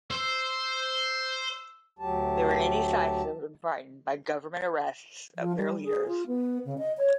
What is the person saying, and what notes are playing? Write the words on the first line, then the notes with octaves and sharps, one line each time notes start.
They were indecisive and frightened by government arrests of their leaders.
C5 E6
D2 F#3 G4 A5
F3
G3
G#4
F4
B3
C#3
D#5
C#5